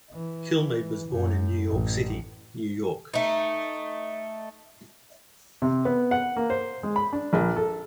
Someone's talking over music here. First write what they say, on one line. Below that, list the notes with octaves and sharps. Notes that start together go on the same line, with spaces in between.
Kilmeade was born in New York City, New York.
E3
F#2
A1
A3 D#4
C3
B3
F#5
A#3
C5
G#3
B5
D4
A#1
A4